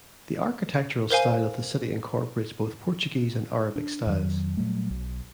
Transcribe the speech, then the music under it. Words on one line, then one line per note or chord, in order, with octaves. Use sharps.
The architectural style of the city incorporates both Portuguese and Arabic styles.
A#4 C5 F5 G#5
D4
F2 D#3 F#3
A#2 F#3 G3 A3
B1